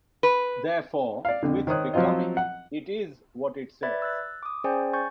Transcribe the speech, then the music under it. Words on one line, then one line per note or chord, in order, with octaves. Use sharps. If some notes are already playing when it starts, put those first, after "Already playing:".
Therefore, with 'Becoming,' it is what it says.
B4
D5 F5
F2 D3
D#3 C5 C#5 D#6 F#6
F3 F#3 C4 F4 D#5
F#5
B4 D5 E5 B5 G#6 A6
E6 F#6 A6
D6 D#6
C#4 G#4 C5 D5 G5 G#5
G#5 C#6 G6 A6